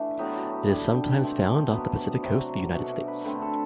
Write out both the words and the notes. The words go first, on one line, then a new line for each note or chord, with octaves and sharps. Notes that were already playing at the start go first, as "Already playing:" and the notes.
It is sometimes found off the Pacific coast of the United States.
Already playing: E3 A3 D4 A4
A2 F#3 B3 G4
F#4
G4
D3 G3 D4 G4
B2 A3 C4
B2 F#3 B3 D4
C3 F#3 C4 F#4
B2 A3 D4 F#4
B4
D3 A3 C4 B4
A4